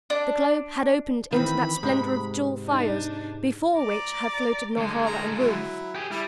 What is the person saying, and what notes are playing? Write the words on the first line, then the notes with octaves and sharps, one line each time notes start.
The globe had opened into that splendor of jewel fires before which had floated Norhala and Ruth.
D4
D#3 E3 C4 B5
G#2 C3 G#3
D4 D#4
D5 A#5
D3 G#3
A#5
F#3 E4
G4 G#4
G3 E4